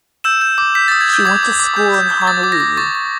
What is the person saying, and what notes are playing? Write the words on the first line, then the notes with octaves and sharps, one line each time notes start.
She went to school in Honolulu.
E6 G6 E7
G6
D6
G6 B6
D#6 A6
G#6
D#6 G6
D6 G#6
D6
D6
G6
G6
G6
G#6
D6 A6
D6
A#6
D6
C#6 A6
C#6